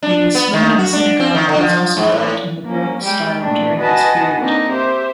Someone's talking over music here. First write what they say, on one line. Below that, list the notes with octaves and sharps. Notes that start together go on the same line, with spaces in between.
The Slonim Synagogue was also built in the Baroque style during this period.
D4
B3
D#3
F#4
D4
C4
D#3
D3
F3
G#2
A2
A#3 C#4
G3 G#3 G5
A#2 A3 D4
F#4 B4 D#5 F#5 G#5 A5
A#3 C4 D4 D#4
G4 C5 E5